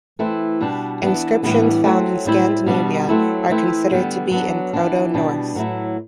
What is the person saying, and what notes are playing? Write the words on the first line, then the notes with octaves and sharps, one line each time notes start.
Inscriptions found in Scandinavia are considered to be in Proto-Norse.
E3 A3 C4 E4
B2 G3 D4
E3 B3 D4
A2 E3 G3 B3 D4
F#3 A3 C4
A2 G3 C4 E4
B2 G3 B3 D4
F#3 A3 C4 E4
E3 A3 C4 E4
D3 G3 B3
F#3 B3 D4
E3 B3 D4
B2 G3 D4
A2 F#3 A3 E4